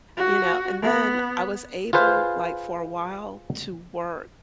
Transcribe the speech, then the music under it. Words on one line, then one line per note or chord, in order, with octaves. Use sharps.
you know, and then I was able, like, for a while to work
F#4
B3
F4 G#4 B4 C5 F5